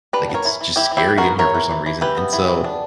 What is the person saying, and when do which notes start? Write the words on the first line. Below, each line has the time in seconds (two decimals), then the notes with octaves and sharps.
like, it's just scary in here for some reason." And so,
0.13 D4 G4 B4
0.29 B3
0.34 A#4 C#5
0.45 E3
0.61 E3
0.76 E3 E4 G4
0.91 E3
0.97 E4 G4
1.07 E3
1.18 F#4 A#4
1.24 B3
1.39 E3 A#4 C#5
1.55 E3
1.70 E3
1.86 E3
2.01 E3 G4 B4
2.17 B3
2.33 E3
2.48 B3
2.64 D4